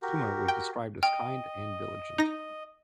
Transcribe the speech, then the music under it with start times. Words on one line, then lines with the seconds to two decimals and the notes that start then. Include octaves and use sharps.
Suma was described as kind and diligent.
0.02 F#4 G4 A#4
0.48 G5
1.03 D#5 G5 F6
2.18 D#4 A#6